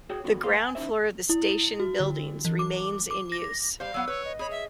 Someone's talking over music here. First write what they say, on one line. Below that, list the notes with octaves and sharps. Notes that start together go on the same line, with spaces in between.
The ground floor of the station buildings remains in use.
F#4 G#4 C#5 G5
D#3 F#3 B3 F#4 A4
G2 G#3 A3 B4 F5 C6
G#5
D#2 C#4 D#4 E4 C5 E5
E4
F#4
D3
E3
D6
D6
A#6
G3 C5 F5
F#3 B3 F#5 E6
B4 C#5
D#5
G#4 C#5 B5
E5